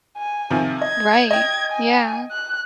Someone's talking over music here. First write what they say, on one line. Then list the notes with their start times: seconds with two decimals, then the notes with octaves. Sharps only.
Right. Yeah.
0.17 G#5
0.50 C3 D#3 F3
0.81 D#5 G#6
1.31 D#5 G5 G#6
1.72 G#5
2.32 F#6